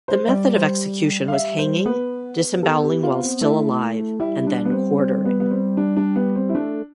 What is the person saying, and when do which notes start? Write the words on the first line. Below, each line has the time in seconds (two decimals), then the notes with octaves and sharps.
The method of execution was hanging, disembowelling while still alive and then quartering.
0.08 C5
0.28 G3 D5
0.55 C5
1.28 F5
1.33 E5
1.59 C5
1.85 B3 B4
2.63 A4
2.83 G4
3.03 F4
3.23 C4
3.41 A3 E4
4.20 G3 E4
4.47 D4
4.65 B3
4.72 C4
4.98 C4
5.25 B3
5.40 B3
5.51 C4
5.77 D4
5.97 D4
6.15 B3
6.35 C4
6.49 E4
6.55 A3 D4